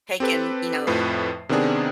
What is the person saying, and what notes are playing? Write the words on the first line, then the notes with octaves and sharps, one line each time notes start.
taken, you know,
C4 G4 A4 B4
F2 A2 F3 B4 C7
C3 D#3 B3 C4 D4 G#4